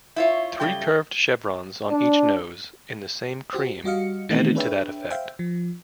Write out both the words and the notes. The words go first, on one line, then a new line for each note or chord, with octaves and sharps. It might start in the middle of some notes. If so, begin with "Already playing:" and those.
Three curved chevrons on each nose, in the same cream, added to that effect.
E4 F4 C#5
C#3 G3 A3 G5
D4
F#4 G4 C5
G3 F#4 D#5 F5 C#7
D#3 E3 A3 B3 C4 D#4
D4 G#4 B4 C#5 E5 G5
C5 E5 F5 G5
F3